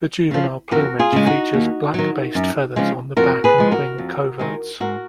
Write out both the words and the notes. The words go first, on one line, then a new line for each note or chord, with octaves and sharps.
The juvenile plumage features black-based feathers on the back and wing coverts.
C#3 F3
F2 F#4 A#4
F4 G#4
C#3 G#3
D#4 F#4
D#2
D#3 F#3
F#2
C#3 F3 G#3
F2 F#4 A#4
G#4 B4
F3 G#3
F#4 A#4
F2
D#3 G#3
G#2 F#4 A#4